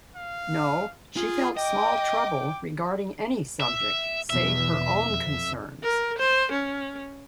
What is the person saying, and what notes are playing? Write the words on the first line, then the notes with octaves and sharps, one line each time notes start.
No, she felt small trouble regarding any subject, save her own concerns.
F5
F4 G#4
D#5 G5 D6
E5
E2 B2 E5
F2
A#4
C5
C#4